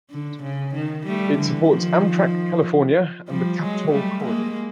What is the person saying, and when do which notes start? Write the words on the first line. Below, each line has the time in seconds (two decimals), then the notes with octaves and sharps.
It supports Amtrak California and the "Capitol Corridor".
0.11 D3
0.43 C#3
0.75 D#3
1.06 G3 A3
1.38 D3 E3
1.69 D#3 F3
3.28 F3 G3
3.60 F#3 G#3
3.91 G3 A3
4.23 G#3 A#3